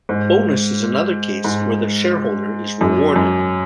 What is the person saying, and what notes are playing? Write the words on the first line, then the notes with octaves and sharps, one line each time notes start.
Bonus is another case where the shareholder is rewarded.
G#2
G#2
F#2
F#2